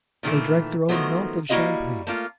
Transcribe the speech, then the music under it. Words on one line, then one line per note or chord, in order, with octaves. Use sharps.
They drank their own health in champagne.
A#2 D#3 E3 A3
D#3 F3 F#3 A3 B3
G3 A#3 E4 F#4 D#5 F5
A3 A#3 F4